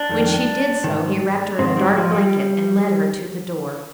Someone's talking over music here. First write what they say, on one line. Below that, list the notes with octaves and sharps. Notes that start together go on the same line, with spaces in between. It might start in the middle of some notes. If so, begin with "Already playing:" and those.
When she did so he wrapped her in a dark blanket and led her to the door.
Already playing: D4
F2 D#3
G#2 D#3
G#2 D#3 C4
G3
F3
G3